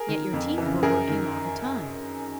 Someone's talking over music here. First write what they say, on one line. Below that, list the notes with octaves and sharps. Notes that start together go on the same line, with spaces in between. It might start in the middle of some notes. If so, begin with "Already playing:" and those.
Yet your teeth were working all the time.
Already playing: G#4 A#4
D#3
F2
C#3 E3
F#2 G#4 A#4
D#3